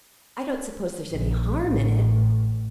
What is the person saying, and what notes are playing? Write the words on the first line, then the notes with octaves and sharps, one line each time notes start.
"I don't suppose there's any harm in it."
A#1
A1